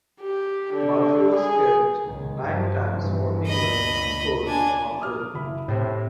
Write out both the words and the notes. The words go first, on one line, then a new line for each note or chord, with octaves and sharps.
Murphy was capped nine times for England and scored one goal.
G4
D3
G#4
C#2 D#3 G#3
G2 D#3 F3
G2 B2 E3
D2 D#5 B5
D4 G#5
D6 D#6 F6
F#1 E4 B5
A2 C3 C4